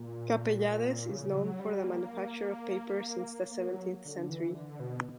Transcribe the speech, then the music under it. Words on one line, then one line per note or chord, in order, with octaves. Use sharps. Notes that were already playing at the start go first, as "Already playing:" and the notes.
Capellades is known for the manufacture of paper since the seventeenth century.
Already playing: A#2
C#3
F#3
G3
A#3
A#3
F#3
D3
E3
D3
B2